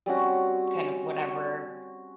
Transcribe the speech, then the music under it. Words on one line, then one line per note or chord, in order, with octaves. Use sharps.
kind of whatever
G3 C4 C#4 F#4